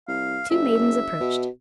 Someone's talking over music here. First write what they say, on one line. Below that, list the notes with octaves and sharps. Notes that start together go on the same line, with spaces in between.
Two maidens approached.
C2 F5
F#1 E5
B2